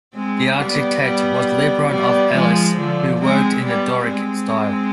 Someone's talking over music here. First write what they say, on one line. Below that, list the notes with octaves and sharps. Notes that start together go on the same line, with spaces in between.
The architect was Libon of Elis, who worked in the Doric style.
G#3 C4
G3 B3
G3 B3
G3 B3
F3 G#3
D3 F3
G#3 C4
G3 B3
G#3 C4